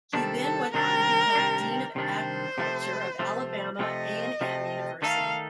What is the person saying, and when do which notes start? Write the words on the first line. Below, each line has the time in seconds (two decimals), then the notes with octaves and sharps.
He then went on become Dean of Agriculture of Alabama A and M University.
0.13 C3 D#3 G3 D4 A4
0.44 A4
0.74 C3 D#3 G3 D4 A#4
1.35 C3 D#3 G3 D4
1.96 C3 D#3 G3 D4 C5
2.58 C3 F3 A3
3.19 C3 F3 A3
3.79 C3 F3 A3 D#5
4.41 C3 F3 A3
5.02 D#3 A3 D#4 A4 F5